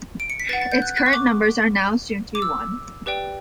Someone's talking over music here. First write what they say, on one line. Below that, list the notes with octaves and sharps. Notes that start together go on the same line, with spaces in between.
Its current numbers are now assumed to be one.
D7
C#7
B6
B4 F#5 A6
A6
G6
F#6
F#6
C#6
D6
D6
E6
G4 B4 D5 G5